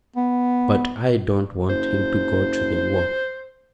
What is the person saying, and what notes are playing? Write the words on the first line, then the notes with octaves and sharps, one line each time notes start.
But I don't want him to go to the war.
B3
F#1 C5